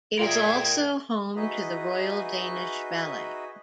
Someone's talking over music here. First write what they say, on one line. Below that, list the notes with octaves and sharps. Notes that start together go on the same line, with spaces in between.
It is also home to the Royal Danish Ballet.
F4 G#4 A#4 D5 E5 G5 G#6
D#4 F#4 G#4 B4 D#5 E5